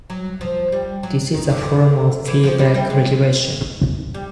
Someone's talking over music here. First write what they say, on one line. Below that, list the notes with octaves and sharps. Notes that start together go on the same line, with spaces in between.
This is a form of feedback regulation.
F#3
F3
G3
F#3
D#3
D3
E3
F3
G3
G3
G#3
G3